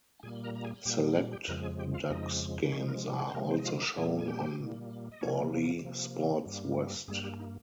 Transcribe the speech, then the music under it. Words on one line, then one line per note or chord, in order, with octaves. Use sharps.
Select Ducks games are also shown on Bally Sports West.
A#2 G3 A#3 G#4 G#5
A#4 A#5
A#5
G#4 G#5
A#2 G3 A#3 G4 G5
A#3 A#4
G4 G5
F2 C#3 F3 G#3 A#4 A#5
G#4 G#5
G4 G5
F4 F5
F2 C#3 F3 G#3 D#4 D#5
C3 F3 G#3 C#4 C#5
A#3 A#4
G#3 G#4
C5
C3 F3 G#3 A#3 A#4
C4 C5
D#5
F4 F5
A#4 A#5
A#2 G3 A#3 G#4 G#5
G#5
G4 G5
A#2 G3 A#3
D#5
C3 F3 A#3 C#4 C#5
C3 F3 A#3
G2 G3 A#3
G2 G3 G#3 A#3 G#4
G3 G4
D#4